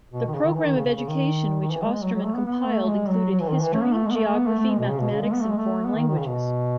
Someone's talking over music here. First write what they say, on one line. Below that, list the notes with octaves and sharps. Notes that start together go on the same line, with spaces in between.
The program of education which Ostermann compiled included history, geography, mathematics, and foreign languages.
B2
D#3
C#3
D#3
E3
D#3
C#3
C#3
C#3
D#3
D#3
E3
G#3
G#3
F#3
F#3
A3
B3
B3
A3
A3
G#3
F#3
F#3
E3
D#3
E3
A3
B3
A3
G#3
B3
A3
A3
B3
A3
A3
G#3
B2
C#3
B2
C#3
G#3
B3
A3
G#3
A3
B3
D#3
D#3
C#3
B2